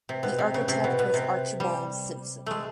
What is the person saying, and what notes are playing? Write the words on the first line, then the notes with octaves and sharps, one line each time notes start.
The architect was Archibald Simpson.
C3
B2
C3
C#3
C3
B2
B2
C3
G3
G#3 A3